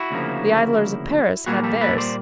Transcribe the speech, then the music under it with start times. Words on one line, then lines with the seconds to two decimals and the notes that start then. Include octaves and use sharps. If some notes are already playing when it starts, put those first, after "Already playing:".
The idlers of Paris had theirs.
Already playing: E4 F#4
0.11 D2 C#3 F3 A#3
1.46 A#2 G3 A#3 F#4 G#4
1.64 G4 A4
1.81 A4 B4
1.98 C5 D5